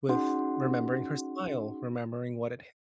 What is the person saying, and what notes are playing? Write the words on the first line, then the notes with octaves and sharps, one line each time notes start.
with remembering her smile, remembering what it
C#4 D#4 F#4 G#4 F#5 C6